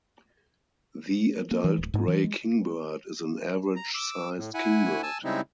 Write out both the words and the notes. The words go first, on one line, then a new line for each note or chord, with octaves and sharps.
The adult gray kingbird is an average-sized kingbird.
A#3
E3
D1
G#2
E3
G#3
A#5
D6 E6
A2
E4 F#5 G#5
G#5 A5 E6
C#3 G3 G#3 C4 D#4 E4